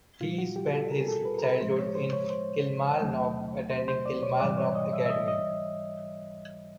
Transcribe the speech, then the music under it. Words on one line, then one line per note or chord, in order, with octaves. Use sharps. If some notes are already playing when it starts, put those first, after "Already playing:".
He spent his childhood in Kilmarnock, attending Kilmarnock Academy.
A#2 G3 F4
F#4
G4
A4
A#4
G#4
A4
B4
A#4
B4
A2 F3 G#3 C5
C#5
C5
C#5
C5
D#2 D#3 F#3 A3
C5
C5
D5
C#5
G#2 E3 G3 D5
C#5
D#5
E5
E5
D#5
D#5